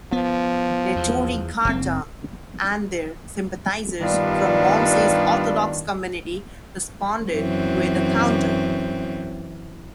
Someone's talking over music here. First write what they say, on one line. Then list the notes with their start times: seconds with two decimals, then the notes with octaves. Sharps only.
Neturei Karta and their sympathisers from Monsey's Orthodox community responded with a counter protest.
0.12 F3 B3
0.96 E2
1.65 F#1 C#3 C4
4.01 G2 D#3 G3 B3 D4 F4
7.31 F#2 E3 C4